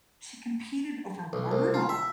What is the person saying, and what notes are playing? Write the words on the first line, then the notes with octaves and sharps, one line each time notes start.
she competed over Wordle,
B1
C2
F4
E5